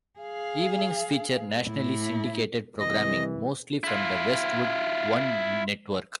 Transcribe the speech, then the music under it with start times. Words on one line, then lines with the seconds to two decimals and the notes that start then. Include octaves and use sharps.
Evenings feature nationally syndicated programming, mostly from the Westwood One Network.
0.19 G#4 F5
1.64 A2 E4
2.80 C2 E3 D#5
3.84 E4 F4